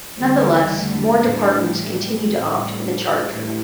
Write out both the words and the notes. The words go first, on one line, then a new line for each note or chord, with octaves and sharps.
Nonetheless, more departments continue to opt for the Charger.
E2 D3 G3 C4
A3
A2 E3 G3 D4
A2 G3 C4
D4
A2 E3 G3 A3